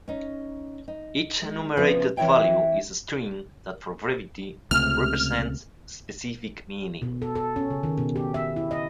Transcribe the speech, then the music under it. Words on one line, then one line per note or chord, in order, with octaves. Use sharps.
Each enumerated value is a string that for brevity represents a specific meaning.
C#4 D#4
D#4
G#3
C#3 F3 B3 E4 B4
E3 C4 E4 C#5 E5 G5
C#2 C3 A3 F6
B2
A4
A4
C#4
C#3
D#3
B2
G4
E5
E4
D#5